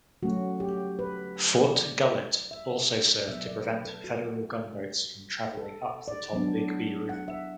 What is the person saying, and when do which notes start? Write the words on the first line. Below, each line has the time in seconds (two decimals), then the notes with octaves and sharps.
Fort Gullett also served to prevent Federal gunboats from traveling up the Tombigbee River.
0.23 F#3 A3 C#4 F#4
0.60 G4
0.99 B4
1.75 D5
2.51 E5
3.28 B2 F#3 B3 E5
3.47 D5
3.66 B4
3.85 A4
4.04 F#4
5.57 A4
6.08 D5
6.33 F#3 B3 D4
7.09 F#5
7.28 E5